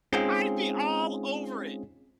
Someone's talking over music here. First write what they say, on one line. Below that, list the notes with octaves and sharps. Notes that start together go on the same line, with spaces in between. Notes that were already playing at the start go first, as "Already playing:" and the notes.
I'd be all over it.
G#3 C4 C#4 D#4 F4 G#4